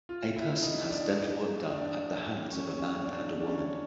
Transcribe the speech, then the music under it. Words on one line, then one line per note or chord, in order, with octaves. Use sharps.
A person has dental work done at the hands of a man and a woman.
F4
E4
D#4
D4
D4
C#4
C#4
D4
C#4
D4
C#4